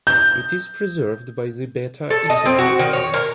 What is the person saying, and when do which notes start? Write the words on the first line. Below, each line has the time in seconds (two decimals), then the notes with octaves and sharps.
It is preserved by the Beta Israel today.
0.07 G6
2.10 A4
2.30 D#5
2.46 C4
2.58 F#4
2.79 D#3
2.93 C#5
3.14 A#4